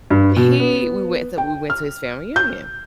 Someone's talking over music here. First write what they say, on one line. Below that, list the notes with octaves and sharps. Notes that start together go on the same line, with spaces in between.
he we went to we went to his family reunion.
G2
B2
B3
G5
F6
G6